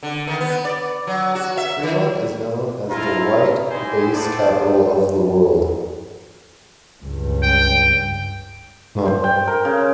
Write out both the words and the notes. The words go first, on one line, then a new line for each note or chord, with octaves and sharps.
Fremont is known as "the white bass capital of the world".
D3
D#3
B3
D5
F#3
F#4
E5
D#3
E4 F4 A4 A#5
D#4 E4 G4 C5 G#5
A3 B3 A4 C5 D5
C#2 G2
G5
C5
G5
A#4
C#3